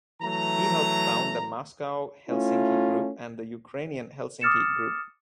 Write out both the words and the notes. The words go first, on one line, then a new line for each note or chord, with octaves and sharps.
He helped found the Moscow Helsinki Group and the Ukrainian Helsinki Group.
E3 F#3 A3 A#5
A3 C#4 E4 F4
D6 D#6 F6 A6 C#7 E7